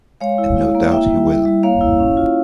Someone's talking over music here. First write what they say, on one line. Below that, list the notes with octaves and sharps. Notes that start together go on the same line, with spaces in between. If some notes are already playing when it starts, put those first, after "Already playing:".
And no doubt he will.
G#3 C#5 F5
E4
E4
A#3
E4 E5 G5
G3
E4
G3
A#3 C#5 F5
E4
C#4
F4